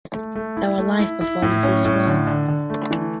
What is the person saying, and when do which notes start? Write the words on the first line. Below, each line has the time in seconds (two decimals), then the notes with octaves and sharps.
There are live performances as well.
0.14 A3
0.35 A3
0.57 E4
0.78 A3
0.99 E4
1.21 E4
1.42 A2
1.63 C#4
1.85 A2
2.06 D3
2.27 D3
2.48 D3
2.70 A3
2.91 E3